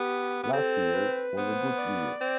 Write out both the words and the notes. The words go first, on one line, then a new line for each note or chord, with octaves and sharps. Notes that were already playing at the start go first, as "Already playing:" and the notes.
Last year was a good year.
Already playing: B3 G4
B3
C4 A4
B4
B3 C5
D5
C4